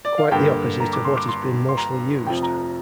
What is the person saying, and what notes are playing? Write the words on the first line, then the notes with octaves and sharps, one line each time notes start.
Quite the opposite of what has been mostly used.
D5
F5
G2 D3 A#3 G5
A#5
D6
C6
D6
C6
C6
A#5
F1 F2 F3 G5
A#5